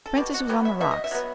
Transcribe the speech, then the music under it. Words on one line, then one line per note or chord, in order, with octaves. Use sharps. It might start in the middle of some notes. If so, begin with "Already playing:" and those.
Francis was on the rocks.
A4
B2 G4
F#4
F#3 B3 G4
E5
B2 E5
D#5
E5
F#3 B3